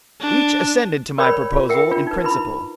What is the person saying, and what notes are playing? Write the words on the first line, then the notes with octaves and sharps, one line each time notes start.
Each assented to my proposal in principle.
D4
A#4 B4 C#5 D5 G5 B5
F4
A#4 E5 F#5 G5
D4 F4
D#4 B4
E4 B4 B5